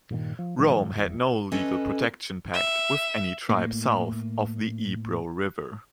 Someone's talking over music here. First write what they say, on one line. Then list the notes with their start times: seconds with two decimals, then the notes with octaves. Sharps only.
Rome had no legal protection pact with any tribe south of the Ebro River.
0.10 G2 A#2 D#3
0.39 F3
0.58 A2 D#3 F3 G#3
0.95 F1 E2
1.52 C#4 A4 B4 D#5
2.54 E5
3.49 A2 A#3